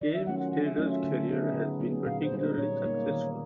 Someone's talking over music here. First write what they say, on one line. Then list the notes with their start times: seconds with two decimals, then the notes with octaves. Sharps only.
James Taylor's career has been particularly successful.
0.01 D#3 D5
0.13 E5
0.26 F#3 A3 C#4 F4 F#5
0.39 F#5
0.52 D#3 F#5
0.65 E5
0.77 F#3 A3 C#4 F4 D#5
0.90 E5
1.04 D3
1.29 F#3 B3 D#4 G#4
1.54 D3
1.80 F#3 B3 D#4 G#4
2.05 A#2 F5
2.24 C5
2.32 G3 A#3 D#4
2.40 C5
2.57 A#2 C#5
2.83 G3 A#3 D#4
3.08 D#3